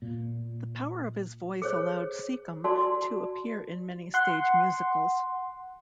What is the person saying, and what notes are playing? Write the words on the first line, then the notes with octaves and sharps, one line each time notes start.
The power of his voice allowed Secombe to appear in many stage musicals.
A#2
G#4 C5 C#5
F#4 D5 A5 C6
F#5 C6